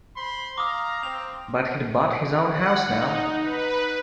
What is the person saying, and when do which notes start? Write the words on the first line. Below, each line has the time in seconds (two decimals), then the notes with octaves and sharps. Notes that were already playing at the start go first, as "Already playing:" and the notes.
But he'd bought his own house now.
0.16 C5 B5 C6
0.58 F5 A#5 D6 D#6
1.03 C4 F7
2.49 F#5
2.87 D#4
3.40 B4